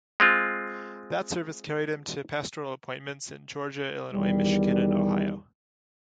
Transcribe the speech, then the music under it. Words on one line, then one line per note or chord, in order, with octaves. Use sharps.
That service carried him to pastoral appointments in Georgia, Illinois, Michigan, and Ohio.
G#3 C4 F4
E2 D#3 G3